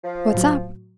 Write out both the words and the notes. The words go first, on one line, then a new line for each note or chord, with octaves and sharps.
'What's up?
F3
A2 F#3